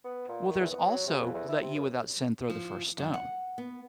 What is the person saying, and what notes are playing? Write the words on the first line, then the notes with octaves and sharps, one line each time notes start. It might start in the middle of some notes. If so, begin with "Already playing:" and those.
Well, there's also “Let you without sin throw the first stone,”
B3
A#2
D#3
E2
B3
F#3
C3
F2
E2
E4
C3
F#2
F3
F#2
F#5
B3